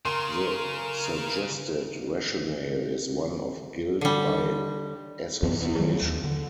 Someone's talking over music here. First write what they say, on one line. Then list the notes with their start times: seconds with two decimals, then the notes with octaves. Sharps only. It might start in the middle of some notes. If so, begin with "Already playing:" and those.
The suggested rationale is one of guilt by association.
0.05 C#3 A#4 C6
4.01 D3 G3
5.43 B1 F2 E3 B3
5.59 E2
5.79 D#3 F#3 A3
6.02 D#2
6.24 D3